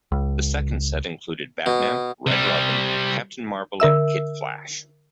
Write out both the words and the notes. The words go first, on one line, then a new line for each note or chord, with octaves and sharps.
The second set included Batman, Red Robin, Captain Marvel, and Kid Flash.
C#2
B2
C3 G3
D3 A#4 E5 E6